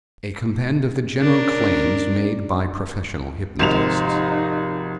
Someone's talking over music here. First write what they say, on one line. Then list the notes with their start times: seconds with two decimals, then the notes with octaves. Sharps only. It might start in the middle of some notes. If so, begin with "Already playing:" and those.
A Compend of the General Claims Made by Professional Hypnotists.
1.20 C#4 D4 A#4
3.59 G#1 C3 F3 D#4 E7 F7